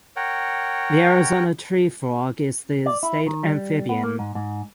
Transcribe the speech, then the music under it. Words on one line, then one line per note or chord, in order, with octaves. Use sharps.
The Arizona tree frog is the state amphibian.
A#4 C#5 F#5 G5
D5
E4
D#3
G3
B3
A#3
G#2
G#2